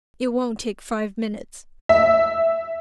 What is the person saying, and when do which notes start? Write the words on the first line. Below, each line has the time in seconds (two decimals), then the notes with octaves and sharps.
It won't take five minutes.
1.89 E5